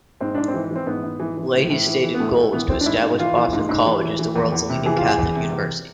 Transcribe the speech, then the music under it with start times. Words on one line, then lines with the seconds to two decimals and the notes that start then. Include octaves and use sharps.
Leahy's stated goal was to establish Boston College as the world's leading Catholic university.
0.20 G#2 C4
0.35 G#2 D4
0.48 C4
0.54 E3
0.71 E3
0.76 C4
0.86 G#2 B3
1.03 G#2
1.20 E3
1.37 E3
1.54 A2
1.70 A2
1.86 E3
2.03 E3
2.14 B3
2.20 A2 A3
2.37 A2 A3
2.53 E3 B3
2.69 E3 C4
2.81 D4
2.86 G#2 E4
3.03 G#2
3.19 E3 F4
3.36 E3
3.53 G#2
3.69 G#2
3.86 E3
4.02 E3
4.19 E3
4.36 E2
4.52 E2
4.69 C3
4.86 E3 G#4
4.97 F4
5.03 E2
5.08 G#4
5.19 E2
5.35 C3
5.52 E2